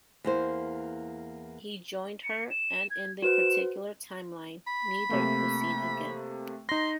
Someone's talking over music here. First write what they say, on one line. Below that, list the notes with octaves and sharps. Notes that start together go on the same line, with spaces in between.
He joined her, and in that particular timeline, neither was seen again.
E2 A#3 C5
C#7
E7
G#6
F#4 B4 C5 E7
B5
C3 A3 A#3
D#4 C6 A#6